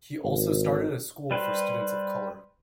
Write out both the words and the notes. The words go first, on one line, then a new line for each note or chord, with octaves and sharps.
He also started a school for students of color.
G#1
G3 B4 C5